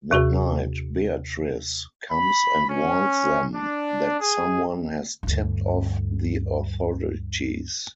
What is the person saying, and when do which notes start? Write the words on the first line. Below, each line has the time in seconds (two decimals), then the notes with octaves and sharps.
That night Beatriz comes and warns them that someone has tipped off the authorities.
0.11 D#2 C3 F#4 G#4
2.10 B5
2.68 C#4
3.54 D4
4.19 G#4
5.23 D2 G2